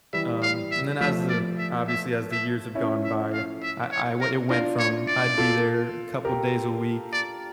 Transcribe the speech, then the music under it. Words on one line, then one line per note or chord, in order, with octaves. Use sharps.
Um, and then as the obviously, as the years have gone by, I I w it went from I'd be there a couple days a week
E3 G3 E5
F5
E5
F3 A3 E5
D5
E5
E5
E5
C#4 E4
E5
F5
E5
C#5
A#4
D4 F4 A#4
C#5
D5
F4 A4
G4 A#4
D5